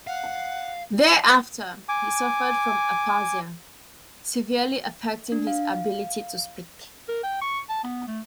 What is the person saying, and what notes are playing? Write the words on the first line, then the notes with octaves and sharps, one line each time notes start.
Thereafter, he suffered from aphasia, severely affecting his ability to speak.
F5 F#5
G#5 D6
D4
F5
A#4
G5
C#6
A5
B3
A3